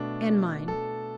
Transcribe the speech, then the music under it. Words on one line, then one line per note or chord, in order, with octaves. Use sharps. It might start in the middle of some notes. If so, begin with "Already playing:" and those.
"And mine."
Already playing: B2 A3 D4
A4